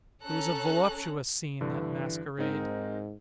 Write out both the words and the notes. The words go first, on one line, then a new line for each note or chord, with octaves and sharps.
It was a voluptuous scene, that masquerade.
C#4 A4 A#5 F#6
G2 D3 E3
G#2 C4 D#4 A#4